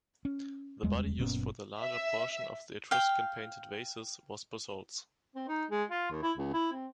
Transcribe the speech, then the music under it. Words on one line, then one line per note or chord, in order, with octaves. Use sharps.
The body used for the larger portion of the Etruscan painted vases was basalts.
C#4
D1 E2 G3 G#3
F#1 A#2 B3 C#4
E5
F5 G5
C4
D#4
G#3
F4
D#2
E4
C#2
E4
C4